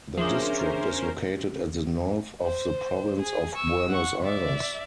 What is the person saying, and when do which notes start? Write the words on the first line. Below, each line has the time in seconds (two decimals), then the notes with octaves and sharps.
The District is located at the north of the Province of Buenos Aires.
0.17 F3 C#4 D4 G#4 A#4 C5 E5
2.43 C5
3.22 G#4
3.55 C#6 E6
3.89 F#5 C#6
4.24 D5 E5